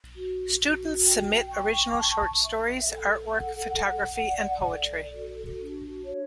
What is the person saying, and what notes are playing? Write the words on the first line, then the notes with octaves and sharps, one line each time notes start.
Students submit original short stories, artwork, photography and poetry.
F#4
F#4
G5
C#6
A5
E5
A4
F#5
F#5
D5
A4
F#4
D4
C#5